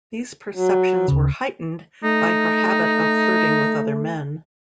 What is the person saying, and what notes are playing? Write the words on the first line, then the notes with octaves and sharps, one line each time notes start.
These perceptions were heightened by her habit of flirting with other men.
F#3
D2 C#3
A3 D#4